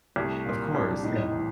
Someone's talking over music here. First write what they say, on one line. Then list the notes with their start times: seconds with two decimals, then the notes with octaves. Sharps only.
Of course, yeah.
0.16 C2 A3
0.46 A#2 A#3
0.75 C2 D4
1.03 A2 D#4
1.32 E3